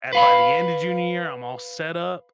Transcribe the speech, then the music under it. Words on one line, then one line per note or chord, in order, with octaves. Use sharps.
At by the end of junior year, I'm all set up.
B4 F5 B5